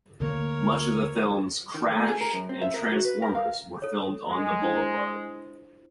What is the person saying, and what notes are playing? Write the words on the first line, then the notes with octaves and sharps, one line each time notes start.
Much of the films "Crash" and "Transformers" were filmed on the boulevard.
D2 D3 A#3 A#4 C#5
D#3
A3
G#4
A#4
F#2
C4
E5
A#4
F#4
B4
A#4
F5
A4 C#5
G#3
D4 E4 C5